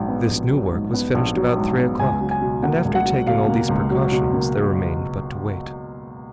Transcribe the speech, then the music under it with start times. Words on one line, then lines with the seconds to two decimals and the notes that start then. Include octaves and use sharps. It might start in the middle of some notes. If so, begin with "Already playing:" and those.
This new work was finished about three o'clock, and after taking all these precautions there remained but to wait.
Already playing: A#1 G#2 F#3
0.08 B3
0.30 A#1
0.51 F#3
0.73 G#2
0.94 B3
1.14 A#1
1.36 F#3
1.57 G#2
1.78 B3
1.99 C#2 G#5
2.21 F#3
2.31 G#5
2.42 B2
2.63 A#3 F#5
2.85 C#2
2.95 F#5
3.05 F#3
3.27 B2 F5
3.48 A#3
3.69 C#2
3.90 F#3
4.12 B2
4.33 A#3